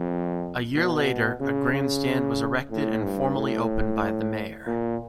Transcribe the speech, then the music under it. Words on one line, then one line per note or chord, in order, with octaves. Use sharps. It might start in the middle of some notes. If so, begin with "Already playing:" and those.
A year later a grandstand was erected and formally opened by the Mayor.
Already playing: F2
B2
C#3
C#3
A2
G2
A2
A#2